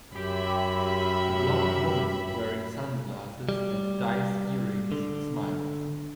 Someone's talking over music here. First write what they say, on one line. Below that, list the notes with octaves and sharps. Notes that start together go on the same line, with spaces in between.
A blond woman wearing sunglasses and dice earrings smiles.
F#2 G4 E5 B5
G3
D3